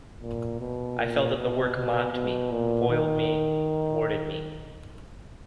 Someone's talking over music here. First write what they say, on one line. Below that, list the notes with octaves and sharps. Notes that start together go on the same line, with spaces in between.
I felt that the work mocked me, foiled me, thwarted me.
A#2
B2
A#2
B2
B2
B2
A#2
D#3